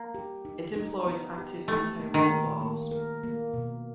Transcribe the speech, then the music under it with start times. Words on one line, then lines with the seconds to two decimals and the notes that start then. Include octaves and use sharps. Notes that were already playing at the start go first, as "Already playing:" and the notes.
It employs active anti-roll bars.
Already playing: A#3
0.15 G4
0.45 D#4
0.76 D#4
1.07 B3
1.38 G4
1.68 A3 G4
2.00 A#3
2.14 D#3
2.30 A#3
2.61 A#3
2.91 A#4
3.23 A#3
3.54 B2